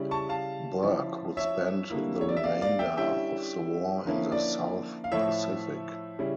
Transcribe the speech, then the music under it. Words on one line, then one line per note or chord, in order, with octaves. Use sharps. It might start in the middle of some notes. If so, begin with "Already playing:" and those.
Burke would spend the remainder of the war in the South Pacific.
Already playing: C#3 G3 C#4 E4
A5 C#6
F5 A5
F3 C#4 E4
C#5 E5
D3 G3 A#3 E4
C#5
D5
E5
D5 F5
D5 F5
E5 G5
D3 G3 C#4 E4 E5 G5
D3 F3 A#3 C#4 E4
D5
F5
A2 F3 A3 E4 C#5 E5
C#3 G3 C#4 E4